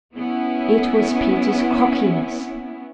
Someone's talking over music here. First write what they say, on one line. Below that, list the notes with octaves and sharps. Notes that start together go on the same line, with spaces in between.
It was Peter's cockiness.
B3 C#4 E4